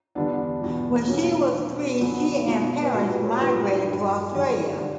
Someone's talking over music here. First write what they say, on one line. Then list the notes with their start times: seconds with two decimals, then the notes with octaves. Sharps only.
When she was three she and parents migrated to Australia.
0.15 E2 D3 G3 B3 D4
0.61 E2 B2 G3
1.07 B2 F#3 A#3 C#4
1.55 B2 F#3
2.01 F#2 D3 F#3 B3
2.47 B2 F#3
2.83 B4
2.93 A#2 G3 F#4 A#4
3.09 G4 B4
3.24 A#4 C#5
3.40 A#2 F#3 G4 B4
3.55 F#4 A#4
3.71 E4 G4
3.86 G2 F#3
4.32 F#2 D3 G3
4.81 D3 G3